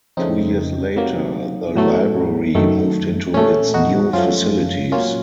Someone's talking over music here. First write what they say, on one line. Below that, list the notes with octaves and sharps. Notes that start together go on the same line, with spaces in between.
Two years later, the library moved into its new facilities.
F2 C#3 A3 C4 D#4
C3 F#3 A#3
A2 F#3 A3
F#2 D#3 A3
A#2 A3 C#4
D#4 F#4
F#2 F3 A3 C#4 F4
A#2 F#3 A#3 C#4 F4